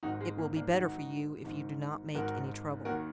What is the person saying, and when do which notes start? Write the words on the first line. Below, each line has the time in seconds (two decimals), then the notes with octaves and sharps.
"It will be better for you if you do not make any trouble."
0.03 G#1 G#2 D#3 D#4 F#4
0.21 G#3
0.38 A#3
0.56 A#3 D4
0.73 G#1 G#2 D#3 D#4 F#4
1.44 G#1 G#2 D#3
2.15 G#1 G#2 D#3 F#4 A#4
2.85 D#2 D#3 F#4 A#4